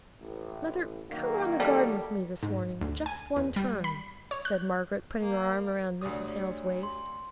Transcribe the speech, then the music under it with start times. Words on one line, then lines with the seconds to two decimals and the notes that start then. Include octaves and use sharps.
'Mother, come round the garden with me this morning; just one turn,' said Margaret, putting her arm round Mrs. Hale's waist.
0.20 A1
1.10 D#3 F#3 A#3
1.60 G3 A4
2.43 G#2
2.81 D2
3.06 G#5
3.36 E2
3.56 G3
3.84 B5
4.31 C#5
4.45 F#6
5.20 A#3
6.01 D2 C3 F#3 D4 D#6
6.83 C6